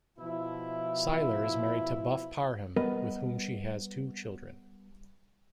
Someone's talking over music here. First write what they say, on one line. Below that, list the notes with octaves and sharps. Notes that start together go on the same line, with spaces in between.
Syler is married to Buff Parham, with whom she has two children.
B2 F3 E4
G3 B3 A#4 B4 D#5